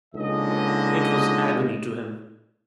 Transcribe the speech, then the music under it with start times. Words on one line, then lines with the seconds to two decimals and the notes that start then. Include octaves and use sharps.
It was agony to him.
0.15 C#2 A#2 D3 D#4 G#4 D#5